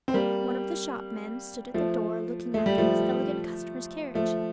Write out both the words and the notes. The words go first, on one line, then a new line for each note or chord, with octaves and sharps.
One of the shopmen stood at the door looking after his elegant customer's carriage.
C4
G3 A#3
F3 A3
A3
G3
F3 A3
F3 A3